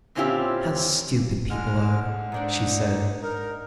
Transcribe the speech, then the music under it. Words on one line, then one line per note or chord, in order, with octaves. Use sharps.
"How stupid people are," she said.
A#2 C4 C#4 E4 F4 G4
D3 G#3 F6
G#2 D4 D#4 D5
D#4 A#4